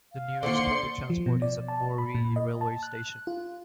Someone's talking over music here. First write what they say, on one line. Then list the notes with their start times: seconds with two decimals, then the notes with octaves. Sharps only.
The nearest public transport is at Moree railway station.
0.12 F5
0.43 D#2 D3 C5 D5 C6 C#7
1.10 F3
1.26 B2
1.42 D5
1.68 A5
1.98 B5
2.15 A#2
2.36 D#5
2.61 A5
2.83 F#6
3.27 F4